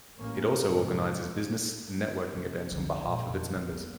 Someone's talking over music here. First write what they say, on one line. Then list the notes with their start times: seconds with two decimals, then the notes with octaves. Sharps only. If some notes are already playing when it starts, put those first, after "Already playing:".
It also organizes business and networking events on behalf of its members.
0.19 A1 A#3 C#4
0.69 G#2 C3
2.33 C3 A#3
2.72 C2 D3
3.04 A#2 G#3
3.28 F2 B2
3.54 D#3 D4
3.69 A#3 B3